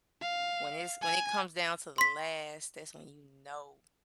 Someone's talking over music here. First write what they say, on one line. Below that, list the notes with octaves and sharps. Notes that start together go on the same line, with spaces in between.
When it's when it comes down to the last that's when you know,
F5
G#5
C6 B6